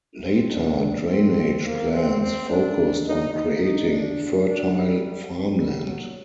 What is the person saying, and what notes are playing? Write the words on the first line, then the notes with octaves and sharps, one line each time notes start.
Later drainage plans focused on creating fertile farmland.
C4
D4
D4
C4
A#3
C4
C4
D4
D#4
D#4
D#4
D4
D4
G3
G3
G3
F#3